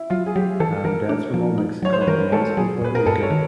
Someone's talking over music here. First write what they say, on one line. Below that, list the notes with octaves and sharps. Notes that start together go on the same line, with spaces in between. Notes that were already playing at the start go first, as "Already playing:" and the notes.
um, dad's from Old Mexico, my mom's from Puerto Rico,
Already playing: E4
F#3 F4
G#4
F#3 G4
E3 A4
E3 A#4
D4
F3
D#4
F#3 C#5
C5
B4
E3 A#4
G#3 A4
F#3 G#4
A#2 B4
A#4
G2 A4
C#5
D#3